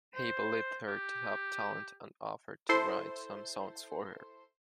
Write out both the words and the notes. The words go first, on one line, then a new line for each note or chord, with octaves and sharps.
Hay believed her to have talent and offered to write some songs for her.
C5
G4
E4 A4 C5 C6